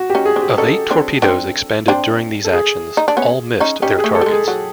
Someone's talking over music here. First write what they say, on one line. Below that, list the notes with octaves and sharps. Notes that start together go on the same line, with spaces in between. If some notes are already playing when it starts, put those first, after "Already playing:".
Of eight torpedoes expended during these actions, all missed their targets.
Already playing: F#4
G4
C#4 D#4
G#4
C4 D4
G4
C#4 D#4 A4
C4 D4
C4 D4
C4 D4
A4
G#4
D#4
D4
B3 C#4
C#4 D#4
C#4 D#4 G4
G#4
A3
A4
G3
G#3
G#4
F#3